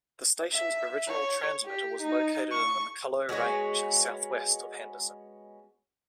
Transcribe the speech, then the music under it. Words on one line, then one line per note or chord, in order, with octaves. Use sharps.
The station's original transmitter was located in the McCullough Range southwest of Henderson.
E5
C#5
G4
D#4
C#6
G#3 B3 C#4 F#4